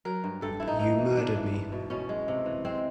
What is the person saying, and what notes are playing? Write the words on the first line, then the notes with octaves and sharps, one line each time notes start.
You murdered me.
F#3 A#4
G2
G2 A4
G2 E4
D#4
E3 D#4
E3
G#2 D4
E3
B3
B2
B2 C#4
G#3
C3
E3
G#3 C4